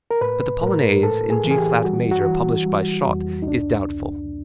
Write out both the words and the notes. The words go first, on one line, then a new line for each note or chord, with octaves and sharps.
But the Polonaise in G flat major, published by Schott, is doubtful.
A#4
A2 B4
A2 A#4
A2 A4
G#4
E3
G#4
G4
G3 F#4
F#4
E3
G3
F2
D#4
C#2 D4
C#2